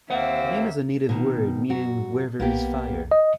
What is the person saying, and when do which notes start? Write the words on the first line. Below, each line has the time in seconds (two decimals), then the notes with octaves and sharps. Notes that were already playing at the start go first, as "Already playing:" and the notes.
The name is a native word meaning where there is fire.
0.10 D#2 A#3 C4 E5 F#5
1.09 B2 D#3
1.70 F#2 F#4
2.40 B1 A#3 B3 G4
3.11 D#5